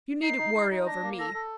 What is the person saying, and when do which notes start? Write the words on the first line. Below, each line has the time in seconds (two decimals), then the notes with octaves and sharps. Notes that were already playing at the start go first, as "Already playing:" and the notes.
You needn't worry over me.
0.22 D#4 C7
0.38 D#4
0.55 D#4
0.70 D#4
0.86 D4 A#6
1.02 A#3
1.19 A4 A#6
1.34 A4